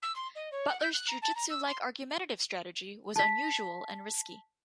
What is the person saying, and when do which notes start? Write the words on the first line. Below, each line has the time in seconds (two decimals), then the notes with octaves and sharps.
Butler's jiu-jitsu-like argumentative strategy was unusual and risky.
0.02 E6
0.15 C6
0.35 D#5
0.51 C#5
0.68 F#5
0.80 G6
0.93 F#6
1.08 A#5
1.22 A5
1.35 A#5
1.49 E6
1.66 C6
3.16 A5 B6